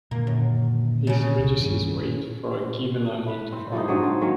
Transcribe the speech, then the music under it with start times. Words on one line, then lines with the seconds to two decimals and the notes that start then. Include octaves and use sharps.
This reduces weight for a given amount of armour.
0.11 A#2 D3 D#3 A#3
0.27 F#2
1.07 C#3 C#4
1.38 C2
1.59 G2 D#3 E3
3.28 B4
3.52 C4
3.72 F3 G3 A#3 D#4
3.88 G#2 D3 F#3 G#4
4.03 F4
4.21 D#3 F#3 A#3 C#4